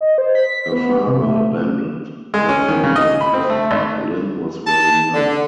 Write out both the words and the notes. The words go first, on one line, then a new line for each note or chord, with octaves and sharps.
Her father abandoned the family when Linn was very young.
D#5
C5
B6
B3
C3
A3
G#3
C#4
D#3
C#3
D#5
B5
C4
A3
G#1
A5
D3